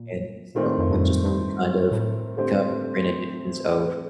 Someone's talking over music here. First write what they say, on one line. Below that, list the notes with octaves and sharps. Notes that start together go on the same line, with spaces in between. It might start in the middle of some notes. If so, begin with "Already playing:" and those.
and stuff have just been kind of become re-editions of,
Already playing: A#2
A#2 D#3 A3 C4
A2
F2
G2
F2
G2
A2
D3 A3 C4 G4 C5